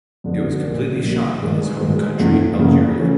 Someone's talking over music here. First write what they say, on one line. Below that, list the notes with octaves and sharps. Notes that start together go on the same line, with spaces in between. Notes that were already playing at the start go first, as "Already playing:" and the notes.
It was completely shot in his home country Algeria.
F2 D3 G3 B3
A#1 A#2 G3
A#1 A#2 G3
G2 D#3 G#3
G2 D#3 G#3
F#1 E2 C#3 F3 A3
F#1 E2 C#3 F3 A3
E3 A3 C#4